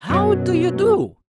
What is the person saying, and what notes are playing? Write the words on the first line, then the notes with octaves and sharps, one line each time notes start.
"How do you do!"
F#2 B2 F#3